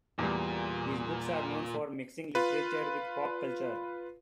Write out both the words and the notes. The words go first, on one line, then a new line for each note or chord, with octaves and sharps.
His books are known for mixing literature with pop culture.
E2 A#2 G3
F4 B4